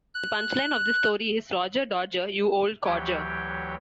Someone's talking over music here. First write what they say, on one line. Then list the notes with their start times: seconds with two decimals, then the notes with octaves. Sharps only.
The punch line of this story is, Roger Dodger, you old codger!
0.15 F#6
2.85 D2 E3 F#3 G4 C#5 G5